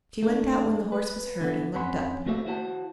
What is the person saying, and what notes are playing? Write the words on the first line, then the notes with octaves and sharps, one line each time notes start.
She went out when the horse was heard, and looked up.
A3 D4
B4
D3 B3
F2 C#4 F#5 B5 C6
A3 A#3 F#4 C5 E5 F5
E4 F#4 C5 F5 F#5 A5